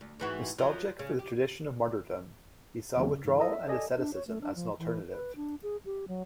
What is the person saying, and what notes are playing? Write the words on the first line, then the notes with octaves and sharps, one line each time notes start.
Nostalgic for the tradition of martyrdom, he saw withdrawal and asceticism as an alternative.
D2
G#2 E3 F#4
F3 F#3
C#3
G4
E2 D3 D#3 F#3 A#3 C4
C#3
G#2 E3
E4 A4 D#5
E5
A4 D5 D#5 G#5
D4
C#5
A3
D4
F3
E3
B4
D4
G#4
G4
F#3